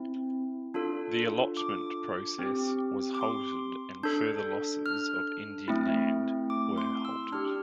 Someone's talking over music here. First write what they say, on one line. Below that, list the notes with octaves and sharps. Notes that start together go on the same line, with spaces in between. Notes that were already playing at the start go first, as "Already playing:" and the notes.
The allotment process was halted and further losses of Indian land were halted.
Already playing: C4 E4
D4 F4 A4
D6
C4 G4
D6
C6
D4 A4 G6
F6
A3 C4 E4
D6
C6
E6
D4 G4 F6